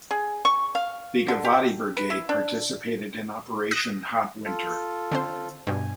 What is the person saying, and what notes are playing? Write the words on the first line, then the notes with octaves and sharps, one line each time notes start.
The Givati Brigade participated in Operation Hot Winter.
G#4
C#6
F5
D3
G4
B4
E4
D4
D#6 F#6 A#6
F4 A4
D3 C4 C5
G2 B2 G#5